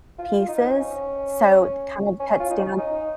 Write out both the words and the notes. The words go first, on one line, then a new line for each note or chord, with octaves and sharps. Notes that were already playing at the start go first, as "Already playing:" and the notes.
pieces, so, it kind of cuts down
F4
D#4
C4
C#4
C#4
F4
D#4
C#4
D#4